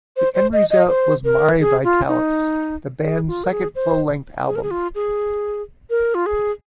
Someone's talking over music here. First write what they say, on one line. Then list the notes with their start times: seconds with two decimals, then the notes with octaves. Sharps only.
The end result was "Mare Vitalis", the band's second full-length album.
0.17 C5
0.35 C5
0.53 D#5
0.71 D#5
0.88 C5
1.25 A#4
1.60 G#4
1.84 F4
2.08 D#4
3.03 G#4
3.28 F4
3.44 A#4
3.51 G#4
3.75 C5
4.47 G#4
4.56 A#4
4.63 G#4
4.71 F4
4.95 G#4
5.90 A#4
6.15 F4
6.26 G#4